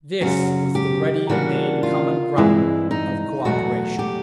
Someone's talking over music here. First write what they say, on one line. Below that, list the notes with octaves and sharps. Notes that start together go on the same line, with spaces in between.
This was the ready-made, common ground of cooperation.
F#2 C#3 F#3 F#4
G4
C#3 E3 G3 A#3 D4 F#4
F4
G2 E3 G#3 C4 E4
D#4
E2 B2 F#3 A3 F#4
G4